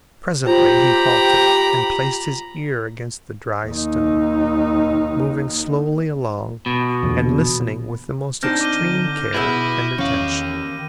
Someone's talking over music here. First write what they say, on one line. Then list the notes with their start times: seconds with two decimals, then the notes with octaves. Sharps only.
Presently he halted and placed his ear against the dry stone, moving slowly along and listening with the most extreme care and attention.
0.46 F4 G4 C5 A#5 B5
3.66 D#2 D#4
6.66 B2
7.03 E2 A#2 D3
8.43 C4 D4 D#4 F6 G6 A#6
8.61 D3 D6 D#7 G7
9.34 B2 B3 E4 G#4 E5
9.98 E2 D#3 C#4 F5 D#7